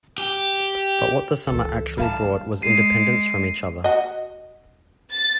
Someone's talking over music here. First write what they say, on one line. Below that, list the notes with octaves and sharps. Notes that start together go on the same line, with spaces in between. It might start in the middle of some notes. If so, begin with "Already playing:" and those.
But what the summer actually brought was independence from each other.
G4
C#2 E3 A4
G3 F5 A5
E4
G#3 C7 D#7
F#4 D#5
A6